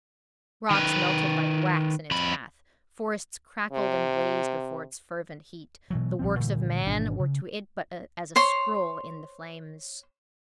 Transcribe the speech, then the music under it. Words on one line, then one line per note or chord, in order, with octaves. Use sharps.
Rocks melted like wax in its path; forests crackled and blazed before its fervent heat; the works of man were to it but as a scroll in the flames.
D#3 B4
F2 B5
C3
B2 E3 F#3
A#1 F3 C4
A#2 D3 E3 G3
G#1 B2 E3 D4
C#3
C5 C#5 C6